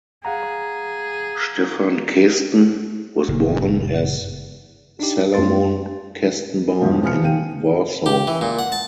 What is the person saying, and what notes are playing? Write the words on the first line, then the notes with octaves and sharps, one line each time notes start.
Stefan Kesten was born as Salomon Kestenbaum in Warsaw.
G#4 F5 F#5 A#5
F#1 G2 A#2 C#3
D4 D#4 G4
F#2 A3 C4 F4 C6 A6
F2 G#2 B2 D#3 F3
C3 F3 B3 G#5 F6 C#7
F5 G5 D#7
G4
E3
A#2
F#5
A5